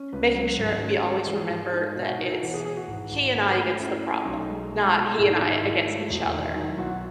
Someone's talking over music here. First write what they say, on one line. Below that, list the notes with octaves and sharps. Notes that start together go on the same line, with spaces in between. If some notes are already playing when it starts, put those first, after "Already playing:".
making sure we always remember that it's he and I against the problem, not he and I against each other.
Already playing: C#4
C#2 B4
F#3
G#1
C#4
G#3
E3
G#4
G#2
D#4
B2
F#4
B2 D#4
E4
E3 F#4
G#4
E3 G#4
F#4
G#1
G#1
A3
A3
C#4 E4
A3
B1 D#4
G#3
B2
B2
G#1 E4
D#4
D#3 D#4
E4
G#2
A3
E1
D#3
F#3 D#4
E4
B1 F#4
F#4